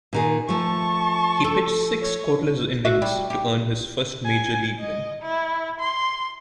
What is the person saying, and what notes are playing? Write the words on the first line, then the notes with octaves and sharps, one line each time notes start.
He pitched six scoreless innings to earn his first major league win.
A#2 D#3 G#4
F3 A3 A5 C#6
A4
C#5
F#4 E5
G3
G4
G#5
D#5
E4
C6